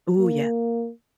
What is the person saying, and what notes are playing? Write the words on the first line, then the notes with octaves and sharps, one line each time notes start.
Ooh, yeah.
A#3